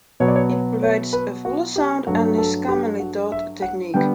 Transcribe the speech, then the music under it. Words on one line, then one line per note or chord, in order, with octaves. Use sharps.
It provides a fuller sound and is a commonly taught technique.
B2 F#3 B3 C#5
D5
C#5
C#5
C#5
B4
F#4
G4
G2 F#3 A3 F#4
A4
G4
F#4
E5
F#5
D3 G3 B3 G5